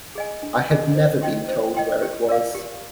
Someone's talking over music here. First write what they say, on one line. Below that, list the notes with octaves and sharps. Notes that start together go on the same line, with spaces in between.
I had never been told where it was.
G#4 D#5 G#5
D4
G#4 D#5 G#5
C5
D#5 G5 C6
C5
D#5 G5 C6
G4
A#4 D5 F5
G4